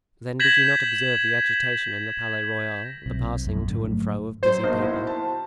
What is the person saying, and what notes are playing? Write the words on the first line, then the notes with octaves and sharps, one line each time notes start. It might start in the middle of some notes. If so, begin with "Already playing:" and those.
Then did you not observe the agitation in the Palais Royal, the passing to and fro of busy people?
G6 G#6 A#6 B6 E7 F#7
B1 C3
A#1 F#2 A#2
F#2 A2 D3
G#2 F#3 A3
F#3 C5
B1 A#3
E4 F#4
A5